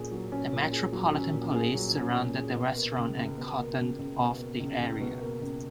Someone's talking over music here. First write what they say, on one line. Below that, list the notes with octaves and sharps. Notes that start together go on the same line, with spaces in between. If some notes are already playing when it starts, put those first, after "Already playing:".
The Metropolitan Police surrounded the restaurant and cordoned off the area.
Already playing: A#2 C#4 G#4
F#3
C#4
A#2
G#4
F#3
C#4
A#2
G#4
F#3
C#4
A#2
G#4
B2
A#3
C#2
C#2
B2
A#3
C#2
C#2
B2
A#3
C#2
C#2
B2
A#3
C#2